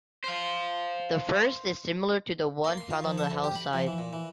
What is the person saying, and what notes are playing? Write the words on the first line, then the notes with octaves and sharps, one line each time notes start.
The first is similar to the one found on the House side.
C5 F5
A#3
C6
F4
F3
A4
D2
G4
B5
F3
E3
A#2
E3